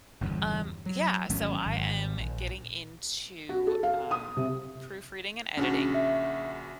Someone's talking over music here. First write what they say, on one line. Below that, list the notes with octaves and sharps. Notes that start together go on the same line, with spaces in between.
Um, yeah, so, I am getting into, um, proofreading and editing,
G1 E2 G2 C#3
F#3
G#1 F#3 A3 C#4
G#1
A#1
F#4
A4
F5
D#6
C3
A#1 C#3 C#4 D4 F#4
E5